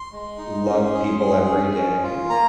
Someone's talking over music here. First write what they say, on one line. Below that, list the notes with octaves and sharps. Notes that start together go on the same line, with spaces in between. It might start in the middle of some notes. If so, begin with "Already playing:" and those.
love people every day,
Already playing: C6
G#3
D#4
C#4
G#4
G#4
C#4
C#4
F4
A#3 A#5